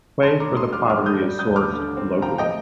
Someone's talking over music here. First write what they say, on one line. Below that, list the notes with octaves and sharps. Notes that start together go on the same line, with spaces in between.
Clay for the pottery is sourced locally.
D4 A5 C6
A#5 D6
A2
C6 D#6
G3 D6 F6
D6 F6
A2
D#6 G6
G3
D#6 G6
D#2
D6 F6
D3
C4
F3 G5 A#5
D#5 G5